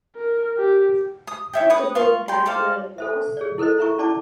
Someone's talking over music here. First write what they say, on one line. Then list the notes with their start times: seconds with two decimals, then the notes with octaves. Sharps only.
Put the book back where it was.
0.16 A#4
0.58 G4
1.27 D#6
1.53 C#5 E5 G5
1.70 B4 C#5 D#6
1.95 F4 F5 C#6
2.28 G5 C6
2.46 A4 C5 D5 F5
2.98 A4 C5 E5
3.37 G#4 C#5 D5
3.58 E4 A4 A#4 C5 D#5
3.78 E4 A#4 E5 A#5 C#6
3.98 C#4 E4 D5 A5 D6